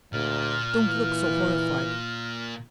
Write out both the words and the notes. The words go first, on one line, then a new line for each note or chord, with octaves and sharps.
Don't look so horrified.
D2 A#2 F6
E3